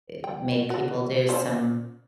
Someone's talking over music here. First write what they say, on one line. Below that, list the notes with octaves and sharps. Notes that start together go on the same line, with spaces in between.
i make people do some
G5
F#4
C#4 C5